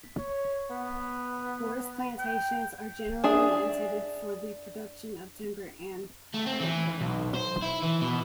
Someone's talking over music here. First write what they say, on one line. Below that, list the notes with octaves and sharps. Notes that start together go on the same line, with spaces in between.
Forest plantations are generally intended for the production of timber and pulpwood.
C#5
B3
G5
D4 G#4 E5
A3
C4
E3
B1
C5
E4
E3
B2